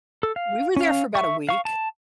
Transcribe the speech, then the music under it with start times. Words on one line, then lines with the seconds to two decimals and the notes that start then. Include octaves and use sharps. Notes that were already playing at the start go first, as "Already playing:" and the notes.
We were there for about a week.
0.23 A4
0.36 F5
0.76 C#4 F5
1.15 E5 C#6
1.49 F5 C#6
1.65 A5